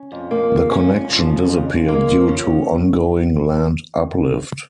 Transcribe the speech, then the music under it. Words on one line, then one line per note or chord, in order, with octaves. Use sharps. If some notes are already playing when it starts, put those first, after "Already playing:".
The connection disappeared due to ongoing land uplift.
Already playing: C#4
F2
F3 A#3
C#3
F2 C#4
F2
F3 C#4
C#3
F2
F2
G#3 A#3
F3
C#3 C#4